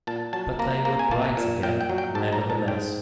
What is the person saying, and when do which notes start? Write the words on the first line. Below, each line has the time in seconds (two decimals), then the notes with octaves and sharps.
But they were bright again, nevertheless.
0.07 A#2 A5
0.33 F#3 A5
0.59 A#3 A#5
0.85 A#3 A#5
0.99 G#5
1.11 A#3 A5
1.37 A#2
1.63 A#2 G5
1.81 G5
1.90 F#3
1.98 G5
2.15 G#2 A5
2.33 A#5
2.41 G#2
2.50 A5
2.68 G#2 G5